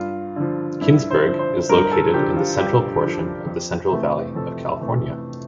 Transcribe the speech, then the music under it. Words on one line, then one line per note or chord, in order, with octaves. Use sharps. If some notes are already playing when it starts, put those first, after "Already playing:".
Kingsburg is located in the central portion of the Central Valley of California.
Already playing: G2 F4
D3 F3
G2 E4
C5
D3 F3
C5
G2 A#4
A4
D3 F3 G4
F4
G2 G4
D3 F3
F2
C3 E3 A3
F2 A4
C3 E3 A3